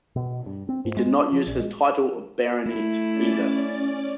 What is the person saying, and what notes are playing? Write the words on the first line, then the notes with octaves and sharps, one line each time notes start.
He did not use his title of baronet either.
B2
G2
C4
G#2
G#3
D4
F3
A#1
G#3
A3 E4
C#4 D5 A6